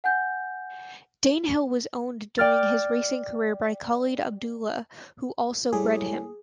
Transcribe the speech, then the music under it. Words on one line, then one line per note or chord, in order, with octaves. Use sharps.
Danehill was owned during his racing career by Khalid Abdullah, who also bred him.
F#5 G#5 G6
D5 G5 F6 A6
A2 G3 G#4